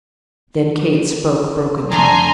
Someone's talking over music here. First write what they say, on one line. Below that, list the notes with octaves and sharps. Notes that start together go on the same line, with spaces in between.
Then Kate spoke brokenly.
F2 D3 A3 G#5 A#5 C6